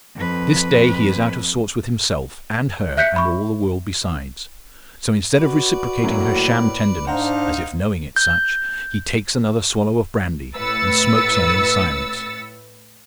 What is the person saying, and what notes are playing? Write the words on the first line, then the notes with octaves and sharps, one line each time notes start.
This day he is out of sorts with himself, and her and all the world besides; so instead of reciprocating her sham tenderness--as if knowing it such--he takes another swallow of brandy, and smokes on in silence.
F2 B4
E5 F#6 G6 B6 C#7
B5 C#6
F#4 B4 D5
A2 F#3 A3 A#3
G#2 D4 D#4 C5 F5 F#5 A#5
G6
A2 B4 E6 A6 C#7